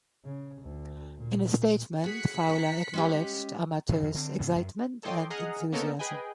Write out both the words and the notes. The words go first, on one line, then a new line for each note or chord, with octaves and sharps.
In a statement, Fowler acknowledged Amato's excitement and enthusiasm.
C#3
D2
A#2
F#4 G#4 F#6 B6 C#7
G#5 A#5
G#3 C#4 G4
G#2 C#3 E3
F2
D3 C4
G#2 C#3 B3
F#2
A4 C#5 D#5 G5 C6 D6
G#4 D#5 F#5 A#5 D#6 F6
A#3 B3 C#4 D#4 A4 A#4
G#4 B4 D#5 G5 G#5